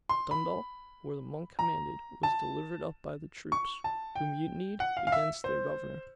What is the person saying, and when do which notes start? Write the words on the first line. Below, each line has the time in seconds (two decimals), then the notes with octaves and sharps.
Dundalk, where Monk commanded, was delivered up by the troops, who mutinied against their governor.
0.09 C6
0.31 B5
1.59 A#5
2.23 A5
3.52 C#6
3.84 A5
4.16 G5
4.80 F#5
4.97 F5
5.07 F5
5.12 E5
5.44 C5